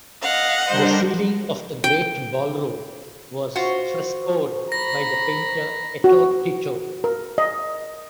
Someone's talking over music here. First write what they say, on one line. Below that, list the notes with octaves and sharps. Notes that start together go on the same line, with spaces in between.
The ceiling of the great ballroom was frescoed by the painter Ettore Tito.
D#5 F5 F#5
G3 D4 A#4 C5
G5
F4 F#4 C5 C#6
A#5 B5 A#6
F#4
A#4
D#5